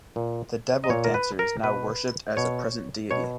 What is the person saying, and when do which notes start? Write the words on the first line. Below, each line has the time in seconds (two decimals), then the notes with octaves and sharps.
The devil-dancer is now worshipped as a present deity.
0.16 A#2
0.84 D#5
0.90 A#2 C#5
1.04 A#4
1.14 B4
1.39 A#4
1.63 B2 B4
2.37 B2 C#5
3.11 B2 C#5